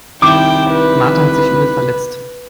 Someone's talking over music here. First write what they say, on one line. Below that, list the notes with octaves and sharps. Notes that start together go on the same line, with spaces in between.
Martha hat sich übel verletzt.
C2 D#3 E4 G5 D6
B4